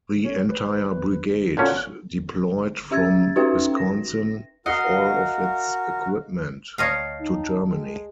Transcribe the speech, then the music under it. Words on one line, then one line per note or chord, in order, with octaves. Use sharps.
The entire brigade deployed from Wisconsin, with all of its equipment, to Germany.
C#4
B4
A#2 D3 F#3 C#4
C#4 E5 E6 G#6 A6
C#4 D#4 F#4 B4 E5 G5
A#6
F#4 A#4 D#5 F5 F#5
D2 C#5 D#5 F5 G5 A5
D#4
G#3